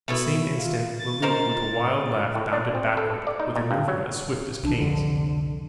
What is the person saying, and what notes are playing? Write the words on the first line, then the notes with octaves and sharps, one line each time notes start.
At the same instant Le Loup with a wild laugh bounded backward with a movement as swift as Kane's.
B2 A3 B3 E4
F4
A6
D#4 A#4 C5
A2
D4
C4
A4
D5
D#4
A#2
G2
F#3
C2 E3 D4
C2 F2 D3